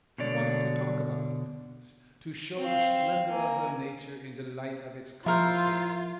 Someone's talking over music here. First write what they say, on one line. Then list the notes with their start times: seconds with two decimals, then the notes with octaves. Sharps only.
He wanted to talk about the business, to show the splendour of her nature in the light of its complications.
0.18 B2 D3 C#5 D5
2.57 C4 F5
3.28 A#3 G#5
5.26 F3 E4 F4 A#4 C5